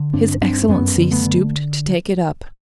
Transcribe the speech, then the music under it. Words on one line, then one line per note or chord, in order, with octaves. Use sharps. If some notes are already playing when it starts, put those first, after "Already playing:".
His Excellency stooped to take it up.
Already playing: D3
G2 C4 D4
G2 C4 D4
D4
F#2 B3 C#4
D3
A3 B3
D3